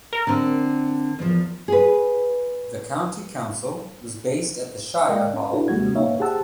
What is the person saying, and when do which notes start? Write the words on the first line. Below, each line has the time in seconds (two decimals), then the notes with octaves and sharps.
The county council was based at the Shire Hall in Mold.
0.13 A#4
0.27 D3 C4
1.19 E2 F3
1.68 G#4 B4
5.09 G#3 A#4 D5 D#5 F5 G5
5.34 C#4
5.51 D4 E4 F#4 A4 B4
5.68 E2 G3 G#3 A#3 F#4 G#6
5.95 A#3 D#4 C#5 E5 F5
6.20 G4 G#4 C5 F#5 A5 E6